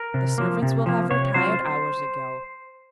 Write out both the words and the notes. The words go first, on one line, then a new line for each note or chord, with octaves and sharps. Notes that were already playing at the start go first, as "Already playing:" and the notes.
The servants will have retired hours ago.
Already playing: A#4
C3
F3 A#3
C3
F3 A#3
C3 C#5
F#3 C4 F4 C5